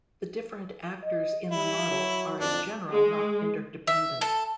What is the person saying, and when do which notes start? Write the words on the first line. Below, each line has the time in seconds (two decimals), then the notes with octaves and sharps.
The different actors in the model are in general not interdependent.
1.04 D#5
1.51 G3 E4
1.87 F#3
2.40 F2 D4
2.92 G#3
3.87 E5
4.21 A4